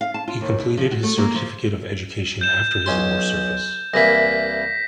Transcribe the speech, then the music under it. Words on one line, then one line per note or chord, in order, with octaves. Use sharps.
He completed his Certificate of Education after his war service.
F5
A5
F4
D#2
B2
F3
F#4
A3
A#3
F3
G6 E7
B1 C#4 C6
C2 E3 A#3 A#6 B6